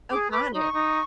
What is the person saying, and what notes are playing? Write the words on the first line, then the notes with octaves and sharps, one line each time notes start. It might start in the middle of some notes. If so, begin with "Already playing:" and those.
Oh, got it.
G#4 D6
B4 D6
D#4 C#6
D#4